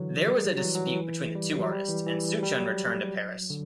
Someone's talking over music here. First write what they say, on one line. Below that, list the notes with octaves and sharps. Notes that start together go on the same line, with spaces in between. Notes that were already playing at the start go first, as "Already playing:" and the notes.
There was a dispute between the two artists, and Souchon returned to Paris.
Already playing: D3 E3 F#3
G3
F#3
F#3
E3
F#3
E3
G3
F#3
F#3
G3
E3
E3
G3
F#3
D3